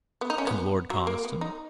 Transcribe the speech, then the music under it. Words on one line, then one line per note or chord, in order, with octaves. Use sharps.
"And Lord Conniston?"
B3
D#4
C#4
B3
F#3
A#3
B3
D#4